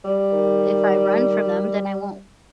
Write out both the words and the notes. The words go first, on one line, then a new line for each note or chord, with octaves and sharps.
if I run from them, then I won't
G3
D#3